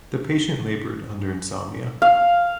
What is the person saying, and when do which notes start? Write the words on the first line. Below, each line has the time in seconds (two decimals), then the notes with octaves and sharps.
The patient labored under insomnia.
2.02 F5